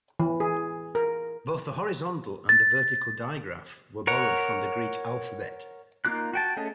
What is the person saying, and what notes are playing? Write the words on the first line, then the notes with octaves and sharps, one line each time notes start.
Both the horizontal and the vertical digraph were borrowed from the Greek alphabet.
E3
G#4
A#4
A6
A#4 C#5 F#5
A#3 D#4 F4 D6 F#6
F#4 G5 A5
A3 C#4 G#4 A4 D#5